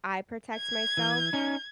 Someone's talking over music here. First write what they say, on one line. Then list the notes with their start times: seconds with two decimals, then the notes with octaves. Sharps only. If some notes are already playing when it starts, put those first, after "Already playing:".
I protect myself.
0.57 G#6
0.97 E3
1.33 C#4 D#4